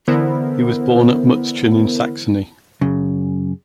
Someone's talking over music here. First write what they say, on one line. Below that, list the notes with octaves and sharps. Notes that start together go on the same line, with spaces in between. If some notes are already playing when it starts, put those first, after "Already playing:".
He was born at Mutzschen in Saxony.
D3 E3 B3 E4 A#4 C5
F#2 C#3